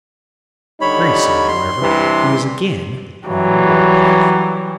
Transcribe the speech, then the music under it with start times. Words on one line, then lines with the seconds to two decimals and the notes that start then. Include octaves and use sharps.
Very soon, however, he was again on the war path.
0.81 D3 G3 D#4 C#5 B5
1.48 C6
1.82 G2 C3 E3
3.27 E3 F#3 G3